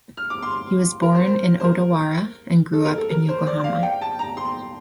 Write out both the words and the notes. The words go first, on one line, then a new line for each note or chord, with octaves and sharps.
He was born in Odawara and grew up in Yokohama.
F6
D6
C6
A#4
C5
C5
C5
A#4
A4
A#4
A4
A#4
C5
D5
F5
G5
A5
A#5
C6